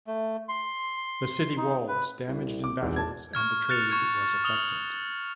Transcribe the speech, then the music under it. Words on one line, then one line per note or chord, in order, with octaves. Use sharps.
The city walls damaged in battles and the trade was affected.
A3
C6
D#4
B4
C2
D6
G#1 E2
A5 G#6
C#6 F6 G#6
F6 F#6 A6 C#7 F7
C#6 G#6 C#7
D#6 F7 G7